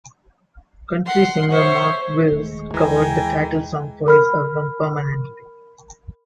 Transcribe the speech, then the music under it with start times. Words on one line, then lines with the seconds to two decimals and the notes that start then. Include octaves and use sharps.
Country singer Mark Wills covered the title song for his album Permanently.
1.06 F#5 C6
1.51 C5 C#5 E5 C#6
2.32 D#1 D#3 G#3 A3
2.74 D#2 E3 G5 G#5 A#5
4.06 A#4 B5 F6